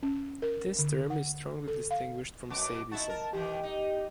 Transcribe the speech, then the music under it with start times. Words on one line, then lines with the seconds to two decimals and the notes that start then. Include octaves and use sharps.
This term is strongly distinguished from sadism.
0.03 C#4
0.42 A#4
0.79 D3
1.10 F#5
1.68 A4
1.91 F5
2.50 F#2 B2 F#4 D6
2.92 D#4 E4 F#4 A5
3.09 A#4
3.33 D#3 E3 G4
3.63 D#4